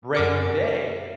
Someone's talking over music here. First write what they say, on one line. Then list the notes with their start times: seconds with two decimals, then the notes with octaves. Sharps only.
Brand New Day,
0.15 F#2 A#4 D6 C#7